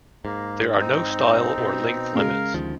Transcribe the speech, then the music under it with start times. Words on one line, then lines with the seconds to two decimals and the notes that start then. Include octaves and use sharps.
There are no style or length limits.
0.25 G#2 A#3
0.80 C4 D#4
1.58 B2
2.15 C#3 G#3 A#4 F5
2.54 D2 D#3 F3